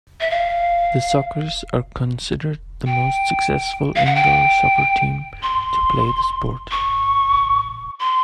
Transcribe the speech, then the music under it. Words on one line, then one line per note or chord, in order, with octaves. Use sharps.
The Sockers are considered the most successful indoor soccer team to play the sport.
E5
F5
G5
F5
F#5
G5
C6
C#6
C6